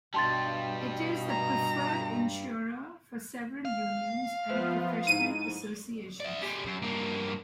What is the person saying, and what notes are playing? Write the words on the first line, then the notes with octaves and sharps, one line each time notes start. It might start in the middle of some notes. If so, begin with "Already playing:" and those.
It is the preferred insurer for several unions and professional associations.
G2 B2 G3 A5 C6 A6
A#5
F5
F3 B3 F4 B4 C5 E5
G#2 D#4 E4 D#7
D5 E5
G#3 G4
F#2
G2 A#3